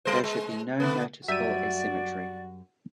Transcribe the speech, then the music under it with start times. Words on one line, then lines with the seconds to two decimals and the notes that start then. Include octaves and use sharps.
There should be no noticeable asymmetry.
0.05 G3 C5
0.24 G#3
0.80 D3 A3 B3
1.28 F#2 G3 F#4 D5 E5 D#7